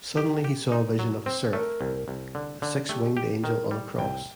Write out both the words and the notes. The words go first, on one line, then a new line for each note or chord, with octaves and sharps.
Suddenly he saw a vision of a seraph, a six-winged angel on a cross.
G4 G5
G4
D#4
F#3
C4 C5
A3 A#4
C2
C2
D3
D3
A3 G4
G4
D#3 A#4
G3
C2 G5